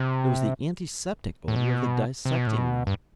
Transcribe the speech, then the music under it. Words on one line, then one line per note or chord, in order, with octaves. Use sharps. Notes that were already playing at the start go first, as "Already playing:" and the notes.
It was the antiseptic odour of the dissecting-room.
Already playing: C3
A2
B2
C3
B2
A2
B2
G2